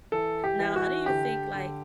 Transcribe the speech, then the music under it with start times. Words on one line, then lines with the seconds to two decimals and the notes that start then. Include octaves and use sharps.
Now how do you think, like,
0.12 E3 A4
0.44 G4
0.60 E3
0.76 F#4
1.06 D3 G4
1.54 D3